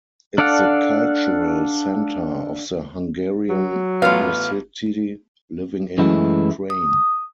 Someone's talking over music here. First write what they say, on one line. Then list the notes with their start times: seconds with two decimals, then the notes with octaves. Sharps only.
It's the cultural centre of the Hungarian ethnicity living in Ukraine.
0.38 D4 A4 D5 F5 F#5
3.50 F#3
4.02 A1 B3 F4 F5
5.98 F#2 E3 G#3 A3 E4
6.70 D#6